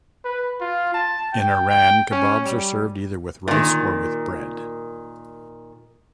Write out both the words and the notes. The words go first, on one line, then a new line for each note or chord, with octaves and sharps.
In Iran, kebabs are served either with rice or with bread.
B4
F4
A5
G5
G5
C#4
G3
A#2 D#3